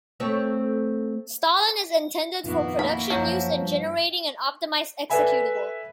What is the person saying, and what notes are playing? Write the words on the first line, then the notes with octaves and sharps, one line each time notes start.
Stalin is intended for production use in generating an optimized executable.
A3 C4 C#5
F2 A#2 D#3 A#3 B3 E4 F#4
B5
F#2 F3 F#3 G6
G2
A4 B4 D5 E5 G#5 B5